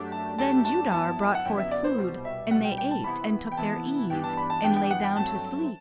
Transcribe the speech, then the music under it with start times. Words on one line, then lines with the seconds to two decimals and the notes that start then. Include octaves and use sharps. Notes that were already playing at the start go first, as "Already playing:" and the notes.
Then Judar brought forth food and they ate and took their ease and lay down to sleep.
Already playing: F#2 F#3 A3 D4 G4
0.12 A5
0.38 F#2 F#3 A3 D4 G4 A5
0.65 A5
0.92 G1 F#2 F#3 B3 E4 A5
1.35 F#5
1.45 G1 F#2 F#3 B3 E4 G5
1.58 E5
1.71 D5
1.84 C5
1.98 C2 B2 G3 C5
2.25 E5
2.51 C2 B2 G3 F#5
2.64 G5
2.78 G5
2.91 A5
3.04 C3 E3 B3 E4 B5
3.52 G5
3.57 C3 E3 B3 E4 A5
4.10 G2 E3 B3 D4 G4 G5
4.24 A5
4.37 B5
4.50 A5
4.64 G2 E3 B3 D4 G4 G5
4.76 G5
4.91 F#5
5.04 G5
5.16 G2 F#3 A3 C4 A5